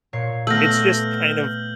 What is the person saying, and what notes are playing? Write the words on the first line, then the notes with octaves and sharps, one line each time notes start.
it's just kind of
A#2 C#5 C7
A3 B3 E6 F6 G6 A#6 F#7